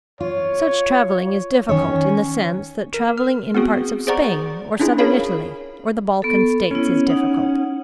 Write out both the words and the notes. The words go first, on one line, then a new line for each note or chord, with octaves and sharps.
Such travelling is difficult in the sense that travelling in parts of Spain or southern Italy or the Balkan states is difficult.
F4 C#5
D#3 C#4 C#5
A#4
F6
B3 C4 F#4 G#4
G#4 C5 D5 F#5 A#5 C#6
C#4 D4 E4 F4 G#4
G#4 A#4 C#5 F5 B5
B3 A4
B3 C#4 E4
D#4 F#5